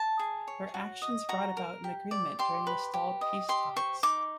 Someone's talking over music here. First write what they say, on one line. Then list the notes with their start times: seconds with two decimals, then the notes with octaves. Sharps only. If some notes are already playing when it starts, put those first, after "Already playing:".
Their actions brought about an agreement during the stalled peace talks.
Already playing: A5
0.19 G#4
0.48 C#5
0.74 F#4
1.02 D#5
1.29 F#4 A#5
1.57 A#4
1.84 G4
2.11 D5
2.39 G4 C6
2.67 B4
2.94 G4
3.21 D#5
3.49 G4 C6
3.76 C5 C#6
4.03 D#4 D6